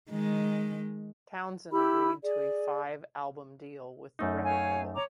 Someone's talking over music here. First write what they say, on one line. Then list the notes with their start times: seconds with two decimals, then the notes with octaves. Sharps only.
Townsend agreed to a five-album deal with the record label.
0.10 D#3 G#3
1.72 E4 G4 B5 E6
2.23 G#4 D5
4.19 F#2 A3 D#4
4.44 C#5 F5 G#5
4.95 C#5 A#5 D6